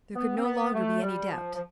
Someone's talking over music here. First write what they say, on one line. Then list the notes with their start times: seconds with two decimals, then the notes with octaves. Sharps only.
There could no longer be any doubt.
0.15 B3
0.36 C4
0.44 B3
0.72 A3
1.02 G3
1.30 F3
1.54 F3